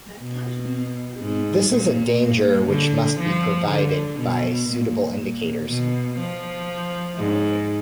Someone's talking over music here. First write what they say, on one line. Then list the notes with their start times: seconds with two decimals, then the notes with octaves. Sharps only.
This is a danger which must be provided for by suitable indicators.
0.20 B2
1.20 G#2
1.70 A#2
2.20 A#2
2.70 D3
3.19 F3
3.69 D3
4.20 B2
4.69 A#2
5.19 A#2
5.70 B2
6.19 F3
7.18 G#2